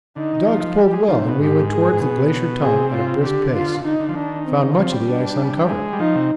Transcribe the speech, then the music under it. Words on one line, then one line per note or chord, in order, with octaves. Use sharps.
The dogs pulled well, and we went towards the Glacier Tongue at a brisk pace; found much of the ice uncovered.
D3 D#4
D#3
F3
G3 G4
G#3
F3 D#4
C3
B2
G#2 G4
G#4
G#2
B2
C3 G#4
F4
D3 G4
F4
D3 D#4
D3
F3
D#3 D4
C4
F3 C4
G3
D4
G#3
G3
F3 D#4
C3